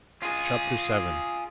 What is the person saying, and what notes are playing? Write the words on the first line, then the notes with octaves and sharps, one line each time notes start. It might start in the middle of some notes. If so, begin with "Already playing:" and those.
Chapter VII.
F4 G#4